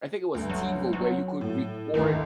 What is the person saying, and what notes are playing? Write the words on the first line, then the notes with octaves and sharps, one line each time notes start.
I think it was TiVo where you could record
D2 G2
F#3
F#3
A2
G#1 D2 D#3 E3